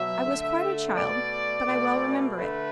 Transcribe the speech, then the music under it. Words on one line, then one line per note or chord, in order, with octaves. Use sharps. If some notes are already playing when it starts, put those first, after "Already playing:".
I was quite a child, but I well remember it.
Already playing: B2 F#3 E5
D3 A3
B2 A3 D5
B2 A3
D3 A3 B4